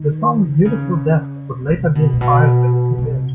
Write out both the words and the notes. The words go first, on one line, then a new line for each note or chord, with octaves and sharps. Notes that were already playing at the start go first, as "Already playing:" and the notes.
The song "Beautiful Death" would later be inspired by this event.
Already playing: D#3
C#3
C3
B2
A#2
B2
C3